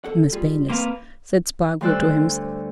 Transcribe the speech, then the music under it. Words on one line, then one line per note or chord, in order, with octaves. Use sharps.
"Miss Baylis," said Spargo to himself.
A4 F#5
G3 F4 G#4
A#3 C4 B4 F5 C6
D2 G3 C5 D5 E6 F#6